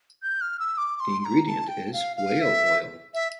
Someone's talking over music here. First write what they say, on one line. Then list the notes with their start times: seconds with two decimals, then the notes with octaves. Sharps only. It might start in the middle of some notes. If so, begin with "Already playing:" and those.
The ingredient is Whale oil.
0.23 G6
0.41 F6
0.59 E6
0.78 D6
0.96 D6
1.00 C6
1.20 C6
1.25 A#5
1.45 A#5
1.49 A5
1.68 G5
1.93 F5
2.17 F5
2.41 E5
3.14 E5